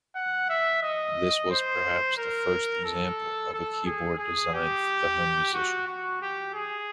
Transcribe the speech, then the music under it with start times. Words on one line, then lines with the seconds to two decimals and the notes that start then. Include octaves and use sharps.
This was perhaps the first example of a keyboard designed for the home musician.
0.15 F#5
0.49 E5
0.83 D#5
1.51 C5
2.17 A#4
2.85 A4
3.53 A4
3.86 G#4
4.19 G#4
4.54 G4
5.54 F#4
5.88 F#4
6.22 G4
6.54 G#4